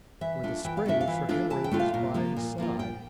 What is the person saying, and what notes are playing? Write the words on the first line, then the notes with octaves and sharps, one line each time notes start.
With a spring Sir Henry was by his side.
E3 E5
A3 D4 F4
E3 G5
F5
A3 D4 F4 E5
F5
E3
A3 D4 F4
E3 A5
G5
A3 D4 F4
F5
A#2
F3 A#3 F4
A#2
F3 A#3 F4
A#2 G5